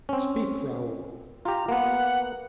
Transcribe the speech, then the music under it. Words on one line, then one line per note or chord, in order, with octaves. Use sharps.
"Speak, Raoul."
C4 C#4
F4 G4 A#5
A#3 B3 F#5